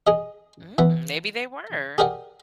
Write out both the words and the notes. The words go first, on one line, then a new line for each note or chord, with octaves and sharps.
Mm, maybe they were.
G#4 D#5
E3 B3
G4 G#4 A#4 D5 F#5